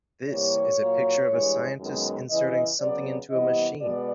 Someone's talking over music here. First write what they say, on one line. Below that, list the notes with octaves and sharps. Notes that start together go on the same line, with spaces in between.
This is a picture of a scientist inserting something into a machine.
C3 E3 G3 A#3 C#5
A#2 F#3 A#3
G2 E3 G#3
F#2 D#3 G#3 B3
E2 C#3 E3 D#5
C#3 F#3 B3 D5
C3 E3 G3 B3 D#5
B2 G#3 B3 D5